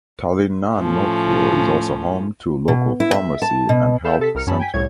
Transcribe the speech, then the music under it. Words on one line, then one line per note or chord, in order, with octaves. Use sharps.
Tallinnanaukio is also home to local pharmacy and health center.
A2 F3 A3 C#4
B2
E4
E5
A5
B2
A4 F5 B5 G6 E7
C3 A4 B6
C2 A#4 F6 C#7
F#2 C#4 A5 B5
G5 G#5 B6
C2 A2 C#5 G#6